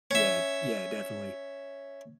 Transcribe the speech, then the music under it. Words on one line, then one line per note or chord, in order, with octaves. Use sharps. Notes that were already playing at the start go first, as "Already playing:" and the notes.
Yeah, yeah, definitely.
C#4 E5